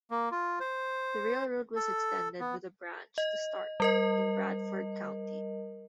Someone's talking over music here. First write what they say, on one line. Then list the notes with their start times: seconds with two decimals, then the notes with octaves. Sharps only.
The railroad was extended with a branch to Starke, in Bradford county.
0.11 A#3
0.31 F4
0.60 C5
1.76 A4
2.40 B3
3.18 D#5
3.80 G3 A#4 D#5